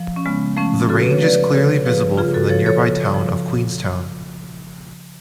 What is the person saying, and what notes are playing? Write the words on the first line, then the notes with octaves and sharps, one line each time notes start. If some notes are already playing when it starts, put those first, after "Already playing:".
The range is clearly visible from the nearby town of Queenstown.
Already playing: F3
C#4
C#3 G#3 B3
F3 A3 C#4
C#3 F#4 A4
B4
C#5
F3 B4 D5
C#3 A4 C#5
F3 G#4 B4
C#3 F4 G#4
F#4 A4
F3 A4 C#5
A4 C#5
C#3
F3